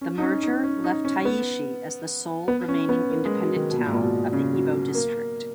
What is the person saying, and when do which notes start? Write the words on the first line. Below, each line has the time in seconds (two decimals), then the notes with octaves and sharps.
The merger left Taishi as the sole remaining independent town of the Ibo District.
0.01 C#4
0.18 D#4
0.22 C#4
0.43 D#4
0.63 C#4
0.84 D#4
1.05 C#4
1.25 B3
2.48 B3
2.69 C#4
2.89 B3
3.10 A#3
3.25 G#3
3.41 F#3
3.56 D#3
3.71 B2
3.79 A#2
3.86 G#2
3.93 A#2
4.02 B2
4.33 C#3
4.53 F#3
4.95 A#3